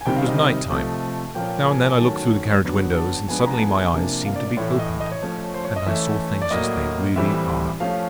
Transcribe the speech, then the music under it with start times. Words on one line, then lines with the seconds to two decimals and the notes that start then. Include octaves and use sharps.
It was night-time. Now and then I looked through the carriage windows, and suddenly my eyes seemed to be opened, and I saw things as they really are.
0.01 G#5
0.06 C3 D#3 G3 C4 G5
0.16 F5
0.28 D#5
0.38 D#5
0.70 C3 F3 A3
1.35 A#2 F3 A#3 C#4 G5
1.67 G#5
2.00 D#3 F#3 A3 C#4 A5
2.64 D3 F#3 B3 D4
2.97 A5
3.28 F3 G#3 B3 D4 G#5
3.40 B5
3.46 A#5
3.54 A5
3.61 G#5
3.93 C3 F3 A#3 D4
4.25 F5
4.36 D5
4.47 D5
4.57 A2 E3 A3 C#5
4.71 E5
4.79 D#5
5.00 D#5
5.12 C#5
5.22 F3 A3 C#4
5.54 C5
5.65 C#5
5.76 D#5
5.86 E3 A3 C#4 E5
6.42 D5
6.51 A2 F#3 A#3 D#5
7.16 A2 E3 G3 C4 E5
7.80 F3 A3 C#4 F5